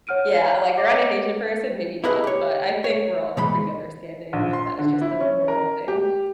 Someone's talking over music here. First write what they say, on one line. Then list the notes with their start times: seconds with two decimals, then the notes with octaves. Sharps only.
Yeah, like, around a Haitian person, maybe not, but I think we're all pretty understanding that it's just the normal thing.
0.07 C#5 F#5 F6 D7 D#7
0.76 C#5 D#5 F#5 D6 A#6 C7
2.04 E4 G4 G#4 A#4 B4 D#5
2.24 G4 C#5
2.84 C#5
3.37 B2 D#3 E3 G#3 B5 C6
4.33 A#1
4.53 C6
4.79 D3
5.01 E4
5.20 C#4
5.48 A#4
5.88 G4